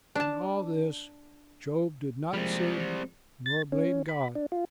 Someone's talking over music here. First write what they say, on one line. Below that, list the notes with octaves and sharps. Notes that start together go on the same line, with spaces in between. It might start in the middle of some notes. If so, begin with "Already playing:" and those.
In all this Job did not sin nor blame God.
D4 A5
F3 G3 G#3 A#3 C4
A6
C#4
B5
D4
F4